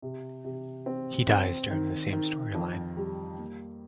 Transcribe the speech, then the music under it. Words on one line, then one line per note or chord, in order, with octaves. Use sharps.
He dies during the same storyline.
C3
C3
C4
C4
D#3
D#3
F2
G3
A#3